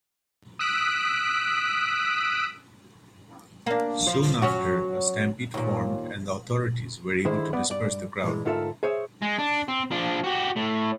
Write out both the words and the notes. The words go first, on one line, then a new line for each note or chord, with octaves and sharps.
Soon after, a stampede formed and the authorities were able to disperse the crowd.
D#6 E6 F#6 B6 D7
A#3 D4
F3
F#3 C#4 F#4
D#2 A#2
D3 D#3 E4 G#4 C5
B3 D5 F#5
G2 D5
G2 A#2 C#3 E3 G#3
D2 G#2 F4 A4 A#4 E5
G#4 C5 C#5 E5
G#3
D4
C4
F3 D4
F#4 G4
A2